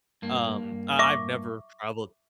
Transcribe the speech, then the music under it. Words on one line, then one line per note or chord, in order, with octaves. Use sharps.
Um, I I've never traveled
G2 A#3
E5 C#6 D6